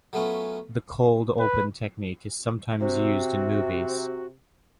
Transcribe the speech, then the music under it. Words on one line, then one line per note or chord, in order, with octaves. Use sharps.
The cold open technique is sometimes used in movies.
F#3 A3 B3 C#4 F4
B4
C3 C4 F#4